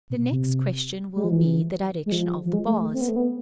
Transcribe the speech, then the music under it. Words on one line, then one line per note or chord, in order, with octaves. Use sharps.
The next question will be the direction of the bars.
B2
C3
G#3
F3
E3
G#3
F3
F3
G#3
A3
A3
C4
B3
A3
B3